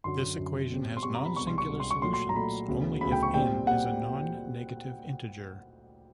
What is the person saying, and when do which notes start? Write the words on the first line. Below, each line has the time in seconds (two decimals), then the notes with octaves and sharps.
This equation has nonsingular solutions only if "n" is a non-negative integer.
0.04 F#2 D3 F#3 C6
0.37 F#2 D3 F#3
0.70 B2 G3 C4
0.97 C6
1.03 B2 G3 C4 C#6
1.15 A#5
1.25 B5
1.36 C2 B2 G#3 B3 D4 C#6
1.47 C6
1.58 C#6
1.69 C2 B2 G#3 B3 D4
1.80 C6
1.91 C#6
2.02 A#2 F#3 A3 C6
2.14 C6
2.29 A#5
2.35 A#2 F#3 A3 B5
2.68 D2 C#3 F#3 B3
3.01 D2 C#3 F#3 B3 B5
3.12 G5
3.23 C#6
3.33 A#2 G3 C4 G5
3.66 A#2 G3 C4 F#5